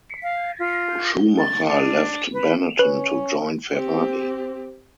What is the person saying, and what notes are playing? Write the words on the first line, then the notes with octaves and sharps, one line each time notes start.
Schumacher left Benetton to join Ferrari.
F5
F4
A6
D4
B4
C#4 B4
C4 G4 C5